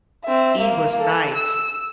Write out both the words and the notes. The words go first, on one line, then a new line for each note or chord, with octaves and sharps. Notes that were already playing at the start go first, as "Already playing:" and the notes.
E was nice.
C4 E5
A#3
A4
E6